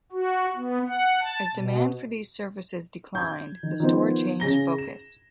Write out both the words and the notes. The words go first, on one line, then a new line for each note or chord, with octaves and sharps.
As demand for these services declined, the store changed focus.
F#4
B3
F#5
A5
B2
G6 G#6
D#3
D#3 F3 B3 C5
C#3 G#4 A#6 G7
E7